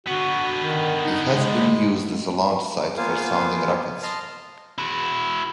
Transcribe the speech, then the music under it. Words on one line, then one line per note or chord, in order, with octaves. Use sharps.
It has been used as a launch site for sounding rockets.
D3 B3 F#4
D#3
D#4
G#3
A#3 B3 F4 C5 F5 G#5
D#5 A5 C6 F6
E4 F#4